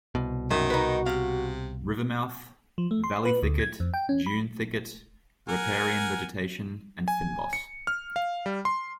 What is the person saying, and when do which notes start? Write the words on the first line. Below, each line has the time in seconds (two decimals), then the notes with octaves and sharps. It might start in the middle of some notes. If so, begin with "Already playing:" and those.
River mouth: Valley thicket, dune thicket, riparian vegetation and fynbos.
0.15 C2 B2
0.51 F#2 D#3 F#4
0.70 D#4 B4
1.06 C3 F5
2.78 F3
2.91 A3
3.04 C6
3.25 B4
3.43 D2
3.60 G#6
3.80 F2
3.94 G5
4.09 C#4
4.26 B5
5.49 A#4 F#5 G#5
7.08 G#5
7.53 C#7
7.87 F6
8.16 F5
8.46 G3
8.65 C6